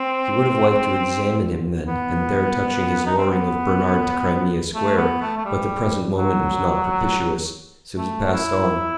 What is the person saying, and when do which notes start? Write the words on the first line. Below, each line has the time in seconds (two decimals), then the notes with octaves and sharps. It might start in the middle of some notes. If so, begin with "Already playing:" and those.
He would have liked to examine him then and there touching his luring of Bernard to Crimea Square, but the present moment was not propitious, so he passed on.
Already playing: C4
1.87 B3
3.06 D#4
3.18 C4
3.31 B3
4.74 A3
4.97 B3
5.22 A3
5.37 A3
5.45 G3
6.17 F#3
7.97 A3
8.33 E4